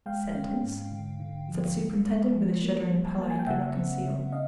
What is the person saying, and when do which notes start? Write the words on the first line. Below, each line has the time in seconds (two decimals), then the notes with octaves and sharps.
"A sentence?" said the superintendent, with a shudder and pallor he could not conceal.
0.06 G#3 F5 G5
0.35 C#4
0.63 G#2
0.91 D3
1.20 D3
1.48 F3
1.77 G#3
2.05 G#3
2.33 F3
2.62 A#3
2.90 G3
3.18 A#3 A5
3.30 G#5
3.39 G5
3.47 C#3 E5 F#5
3.75 C4
4.04 C#3
4.32 C#4 D#5 F5